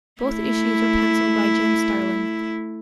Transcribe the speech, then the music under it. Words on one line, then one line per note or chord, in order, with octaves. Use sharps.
Both issues were penciled by Jim Starlin.
A3 E4